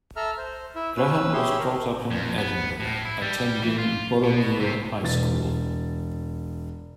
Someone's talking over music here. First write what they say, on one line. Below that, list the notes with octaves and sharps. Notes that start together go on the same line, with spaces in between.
Grahame was brought up in Edinburgh, attending Boroughmuir High School.
A4 E5 A#5 F6
C5
E4 E5
C#4 B4 E6
G4 G#4 C#5 E5 B5 C6
A#4
F2
B3
A2
E4
G3
E3
F4
B2
C3
E1 A6